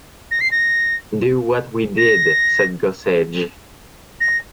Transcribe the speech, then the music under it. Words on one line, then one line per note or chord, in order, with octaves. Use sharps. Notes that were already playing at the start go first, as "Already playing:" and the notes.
Do what we did, said Gossage.
A#6
C7
A#6
A#6
A#6